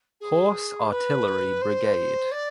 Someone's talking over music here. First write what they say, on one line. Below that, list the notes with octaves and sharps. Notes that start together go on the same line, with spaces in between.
Horse Artillery Brigade.
G#4
B4
C5
D5